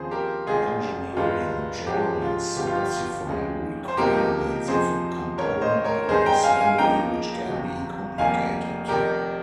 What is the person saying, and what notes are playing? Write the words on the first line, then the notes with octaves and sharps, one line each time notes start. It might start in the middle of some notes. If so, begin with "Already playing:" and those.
Engineering drawings specify requirements of a component or assembly which can be complicated.
Already playing: D#2 C#3 F3 C4 G#4 C5
G4 A#4
F1 F2 D#3 G#3 F4 G#4
G2 D#3 G#3 F4
G#2 F3 G#3 C#4 G4
F4
G1 G2 F3 G4
F4
G4
F2 C#3 G#3
C5
C#2 C3 F3 A#3 D#4 G4 A#4
F2 C3 F3 C4 D#4 G#4 C5
F1 D#2 C#3 A#4 C#5
C5 D#5
A#4 C#5
G2 D#3 G#3 C#4 G#4 C5
G5 A#5
F5 G#5
F5 G#5
C#2 C#3 F3 A#3 D#4 G5 A#5
G1 F2 C3
F1 F2 D#3 G3 A#3 F5 G#5
F1 F2 D#3 G4 A#4